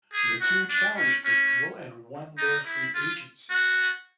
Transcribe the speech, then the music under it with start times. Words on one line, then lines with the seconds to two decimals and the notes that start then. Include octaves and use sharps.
The two challenged the rule and won their free agency.
0.13 G#4
0.40 F#4
0.69 D4
0.96 C#4
1.25 C#4
2.37 D#4
2.65 E4
2.94 F4
3.50 F#4